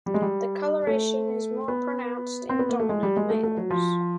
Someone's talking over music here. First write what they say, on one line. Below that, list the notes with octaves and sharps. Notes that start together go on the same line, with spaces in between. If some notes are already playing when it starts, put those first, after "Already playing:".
The coloration is more pronounced in dominant males.
G3
G#3
G3
A3
B3
C4
B3
A#3
A3
G#3
G3
G#3
A3
A3
F#3
F3